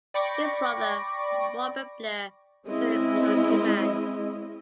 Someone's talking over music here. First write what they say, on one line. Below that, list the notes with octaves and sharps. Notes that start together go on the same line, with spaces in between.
His father, Robert Blair, was a clergyman.
D5 G5 B5 C#6 D6 A#6
G#3 C4 C#4 E4 D#5